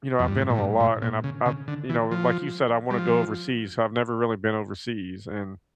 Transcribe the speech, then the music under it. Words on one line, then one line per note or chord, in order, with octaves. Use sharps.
you know, I've been on a lot, and I've I've you know, like you said, I wanna go overseas. I've never really been overseas, and
F2
G2
A2
A2
G2
A2
A#2
C#3
C#3
D3
E3
F3
G3
F3